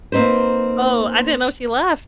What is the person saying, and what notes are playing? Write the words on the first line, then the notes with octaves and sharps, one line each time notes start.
Oh, I didn't know she left.
A#3 C4 D#4 B4 C5